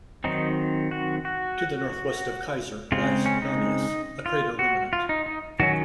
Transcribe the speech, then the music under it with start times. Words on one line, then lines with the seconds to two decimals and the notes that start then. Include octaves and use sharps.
To the northwest of Kaiser lies Nonius, a crater remnant.
0.24 D#3 F#3 C4 D#4
0.91 F#4
1.25 F#4
2.92 C#3 G#3 C4 F4
3.26 C#4
3.42 D#4
4.26 F4
4.59 F#4
4.93 F4
5.09 D#4
5.26 D#4
5.60 D#3 F#3 C#4 F#4